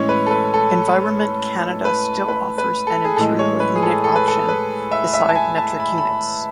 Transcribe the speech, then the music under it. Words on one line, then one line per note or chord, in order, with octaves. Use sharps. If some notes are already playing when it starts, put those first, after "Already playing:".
Environment Canada still offers an imperial unit option beside metric units.
Already playing: A2 E3 G#3 C#4 C#5
B4
A4
B4
A4
B4
B4
B4
A4
G#4
A2 E3 G#3 A4
C#5
B4
G#4
A4
A4
B4
A4
B4
E5
E5
A5
G#5
A5
B5
B5